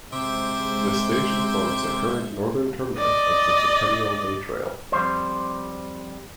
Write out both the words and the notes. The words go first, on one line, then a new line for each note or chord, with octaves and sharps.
The station forms the current northern terminus of the Centennial Way Trail.
C3 G#3 C5 E5 D6
D5 D#5
F2 B2 G3 C5